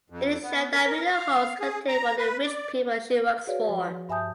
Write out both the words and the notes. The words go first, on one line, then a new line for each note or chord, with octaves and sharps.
It is shown that Meenal holds contempt for the rich people she works for.
F2
B3
A#4
F5
G#4
A#5
B4
D5
F#4 G#4 B4 C#5 D5 F5
F3
G2 E5 G#5 A5 D#6 G6